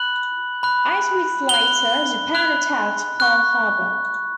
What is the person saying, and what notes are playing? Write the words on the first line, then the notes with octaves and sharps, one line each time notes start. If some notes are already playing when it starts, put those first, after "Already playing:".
Eight weeks later, Japan attacked Pearl Harbor.
Already playing: B5 F#6 F#7
B5 F#6
B5 F#6 G7
B5 F#6
C#6 F#6